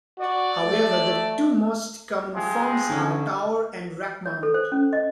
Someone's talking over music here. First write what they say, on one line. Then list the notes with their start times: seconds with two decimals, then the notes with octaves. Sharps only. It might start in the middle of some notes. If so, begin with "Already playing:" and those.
However, the two most common forms are tower and rack-mount.
0.19 F#4 D5
0.65 A3
2.34 C3 F3 G#3
2.90 D3 C#4 D#4
4.26 C#5
4.43 A4
4.54 C5
4.72 C#4
4.93 D#5